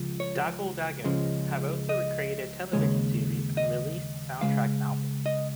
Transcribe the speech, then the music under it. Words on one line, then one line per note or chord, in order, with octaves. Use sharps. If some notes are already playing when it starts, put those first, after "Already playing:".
Dagoll Dagom have also created television series and released soundtrack albums.
Already playing: C#2 C#3 F3
C#5
C#2 C#3 F3 G#3
D#5
D#2 C#3 G#3 C#5
D#5
C#2 C#3 G#3 F5
D#5